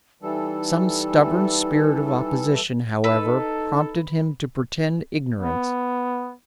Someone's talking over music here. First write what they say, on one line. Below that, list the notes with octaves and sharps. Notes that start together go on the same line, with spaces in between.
Some stubborn spirit of opposition, however, prompted him to pretend ignorance.
E3 G3 D#4 A4
D#4 A4 B4 E6
B3